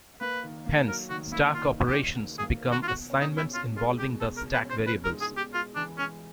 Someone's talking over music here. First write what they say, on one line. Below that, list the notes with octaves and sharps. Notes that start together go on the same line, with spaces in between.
Hence stack operations become assignments involving the stack variables.
A#3 B4
D#3
A#3
F#3 A#4
D#3 F#4
A#3 E4
D#3 F4
D#3
G4
D#3
D#3
G#4
A#3
D#3
F#4
F4
B2 F#4
C#4
D#4
B2 E4
C#4 F4
G#3 F4
B2 G4
B2 A4
A#4
B2
B4
C#4 C5
C#4 B4
A#4
G#3
G#4
B2
G4
G#3 F4
E3 D4
G#3 C#4